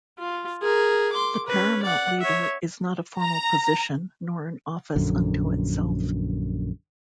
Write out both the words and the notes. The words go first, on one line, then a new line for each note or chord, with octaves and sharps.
The "paramount leader" is not a formal position nor an office unto itself.
F4
G#4 A#4
C6 D6
C#4 B4
D5 F#5
C#5 E5
A#5
A#1 F#2 D3